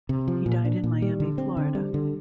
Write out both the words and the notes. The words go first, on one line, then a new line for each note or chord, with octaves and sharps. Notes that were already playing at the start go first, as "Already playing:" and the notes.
He died in Miami, Florida.
C3
F3
A#2
D4
A#2
G3
D3
C4
D3
G3
D3